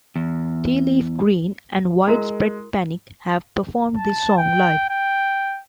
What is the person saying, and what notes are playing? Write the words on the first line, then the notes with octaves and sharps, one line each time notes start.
Tea Leaf Green and Widespread Panic have performed this song live.
E2
G#3 E4 F#4 A#4
A5
G5
G5